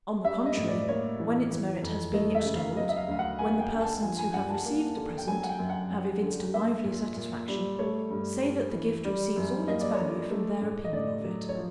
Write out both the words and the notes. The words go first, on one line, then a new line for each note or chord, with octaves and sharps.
On the contrary, when its merit has been extolled, when the persons who have received the present, have evinced a lively satisfaction, say that the gift receives all its value from their opinion of it.
G3 E5
D#5
A2
D5
A#3 C#5
E3
E3
F2
A3 D#5
E5
C#3
F5
F#3 D#5
E5
F5
D2 F5
F#5
A#3 G#5
G5
D3
A5
F3 G#5
G#5
G2 F#5
A5
A#3
D3
G5
F#3 G#5
F#5
G5
F#2
F#5
F#2
D3
A#3 E5
A#2
A#2
G3
A3 C#5
G2
G2
E3
G3
F#2
A#3 D#5
D5
C#5
D3
D5
A3
A2
D#5
A2 D5
F#3
C#5
F3